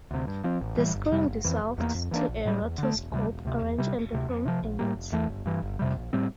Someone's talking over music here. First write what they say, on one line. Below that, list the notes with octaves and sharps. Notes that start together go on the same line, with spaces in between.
The screen dissolves to a rotoscope orange and the film ends.
D2 C3
G2
F3 C4
A1
A2 E3 G3
G1
F2 C3 G3
G1
F2 E3
F1
E2 E3 A#3
F2
E3 A#3 D4
A#1
A2 G3
E2
D3 A3
E1
D2 C3 G3
E1
D2 C3
E2
C3 G3
E1
D2 C3
F2
C3 F3
A#1
A2 G3 A#3
F1
E2 E3 A3
G1
G2 E3
G1
F2 C3 G3
A#1
A2 G3 C4